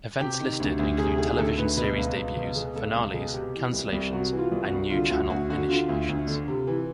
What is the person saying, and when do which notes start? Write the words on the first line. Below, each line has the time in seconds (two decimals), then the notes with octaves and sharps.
Events listed include television series debuts, finales, cancellations, and new channel initiations.
0.20 C3 G4
0.40 D#3
0.60 D2
0.79 D2
0.98 C3 G#4
1.18 D#3 G#4
1.34 G#4
1.37 D2 A4
1.57 D2 B4
1.77 B2 B4
1.97 C#2
2.16 C#2
2.37 B2
2.56 B2 G#4
2.75 C#2 A4
2.95 C#2
3.14 B2 G#4
3.34 C3 G4
3.54 E3
3.73 C2
3.92 C2
4.13 C3 F#4
4.32 E3
4.39 F4
4.52 C2
4.65 F#4
4.72 C2
4.90 D3 F4
5.06 F4
5.10 D2 F#4
5.30 D2 F#4
5.49 D3 F#4
5.69 D3 F4
5.89 D2
6.08 D2
6.27 D3
6.48 C3
6.67 E3